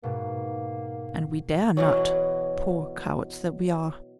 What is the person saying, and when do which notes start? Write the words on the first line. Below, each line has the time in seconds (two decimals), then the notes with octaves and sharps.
And we dare not; poor cowards that we are!
0.03 G#2 B2 A#3
1.77 B2 E3 F#3